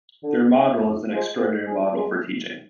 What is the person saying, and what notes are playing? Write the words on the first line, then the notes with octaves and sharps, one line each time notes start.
Their model is an extraordinary model for teaching.
D3
G#3 D#4 G#4
F2
F3 G#3
G#2
F3 G#3 D4 G#4
G#3